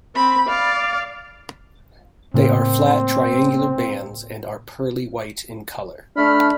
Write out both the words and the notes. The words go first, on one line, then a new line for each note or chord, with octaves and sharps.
They are flat triangular bands and are pearly white in color.
C4 B5
D5 F5
A2 C#3 A#3 C4
A3 D4 B5 F6